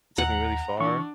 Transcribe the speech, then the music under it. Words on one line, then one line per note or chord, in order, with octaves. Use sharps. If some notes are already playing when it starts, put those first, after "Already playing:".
took me really far,
D#2 F#5 A#5
E3 D4 C#6